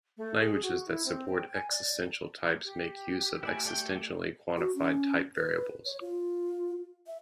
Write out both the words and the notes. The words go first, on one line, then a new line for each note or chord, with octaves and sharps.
Languages that support existential types make use of existentially quantified type variables.
A3
G#4
F#4
E4
C4
G5
G#5
D5
G4
A3 E4 D5 G#5
A4 D5 G5
F#4
C#4
B4
C#5
F4
E5